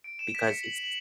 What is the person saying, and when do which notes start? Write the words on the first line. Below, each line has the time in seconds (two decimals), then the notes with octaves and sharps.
because it's
0.04 D7
0.19 E7
0.35 B6
0.47 C#7
0.63 F#7
0.84 F#7